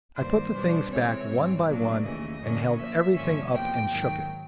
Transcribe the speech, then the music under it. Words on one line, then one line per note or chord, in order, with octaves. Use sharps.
I put the things back one by one, and held everything up and shook it.
G2 D#3 G3 A#3 C5
B2 G3 B3 D4
C3 E3 G#3 C4 C#5
G#2 E3 G3 C4
B2 F#3 A#3 D4
D#2 C#3 E3 A3 D#5
F#2 D3 F#3 A#3 C#4
A#2 F3 A#3 E5
G2 D3 F3 A#3 C#4
E2 C3 F3 A#3 G5
G#2 D#3 F#3